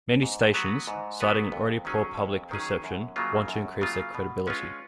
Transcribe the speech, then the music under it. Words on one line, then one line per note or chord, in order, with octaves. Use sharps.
Many stations, citing an already poor public perception, want to increase their credibility.
G#2
F#3 B3 F#4 B4
G#2
F#3 B3 F#4 B4
F2
D#3 F#3 C#4 G#4
F2
D#3 F#3 C#4 G#4
F#2
C#3 F#3 A#3 F4
F#2
C#3 F#3 A#3 F4
B2
G#3 C#4 F4 B4